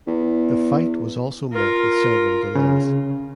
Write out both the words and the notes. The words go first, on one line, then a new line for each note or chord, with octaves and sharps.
The fight was also met with several delays.
E2
F4 A#4
C#3 C#4